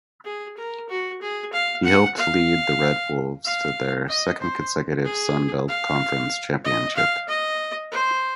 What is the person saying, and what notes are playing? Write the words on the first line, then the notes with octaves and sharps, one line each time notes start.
He helped lead the Red Wolves to their second consecutive Sun Belt Conference championship.
G#4
A#4
F#4
G#4
F5
F#5
F5
F5
D#5
C5
G#4
F5
D#5
F5
D#5
C5